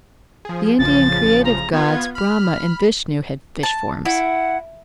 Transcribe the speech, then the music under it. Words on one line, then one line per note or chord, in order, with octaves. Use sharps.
The Indian creative gods Brahma and Vishnu had fish forms.
F3 G#4
A1 C#3 F3 A6
A#5
B3 F4 G#6
B5 F6
A5
E4 F#5